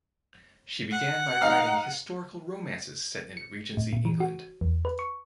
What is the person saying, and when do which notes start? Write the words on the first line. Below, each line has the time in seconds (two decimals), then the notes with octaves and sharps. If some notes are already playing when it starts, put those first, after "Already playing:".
She began by writing historical romances set in Regency England.
0.91 F#5
1.41 D#4 F5 A#5 F6
3.37 C#7
3.77 A2
3.93 A#2
4.05 E3
4.20 F#4
4.61 E2
4.85 B4
4.99 C#6